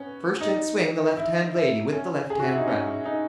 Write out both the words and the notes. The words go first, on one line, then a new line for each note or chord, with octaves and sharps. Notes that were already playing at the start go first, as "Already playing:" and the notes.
"First gent swing the left-hand lady, with the left hand round."
Already playing: B3 C#4
D#4
E4
E4
C#4
G#4
F#4
E4
D#4
C#4
D#4